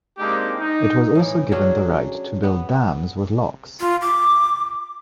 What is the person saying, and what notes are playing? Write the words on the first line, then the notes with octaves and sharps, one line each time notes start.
It was also given the right to build dams with locks.
G#3 A#3 C4 D4 D#4 G4
D#4
A2 E3
F#3 C#4 D4 G#4
B3
F4
D6